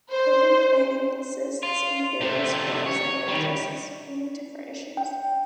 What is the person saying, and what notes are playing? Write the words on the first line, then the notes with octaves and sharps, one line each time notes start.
Urban planning exists in various forms and it addresses many different issues.
C5
F4
C3 A3
C#5
D#3 G3
G5